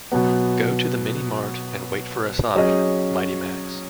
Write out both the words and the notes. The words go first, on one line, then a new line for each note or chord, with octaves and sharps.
Go to the mini-mart and wait for a sign, Mighty Max.
B2 F#3 B3
F#3 C#4 G#4 D#5